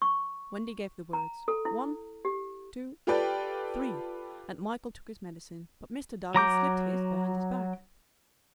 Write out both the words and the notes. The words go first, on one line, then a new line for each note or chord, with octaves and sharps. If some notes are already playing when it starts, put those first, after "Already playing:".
Wendy gave the words, one, two, three, and Michael took his medicine, but Mr. Darling slipped his behind his back.
C#6
A#5
A4
E4
G4
F4 G4 A4 B4 D5 G5
F#3 A#5 D6 G6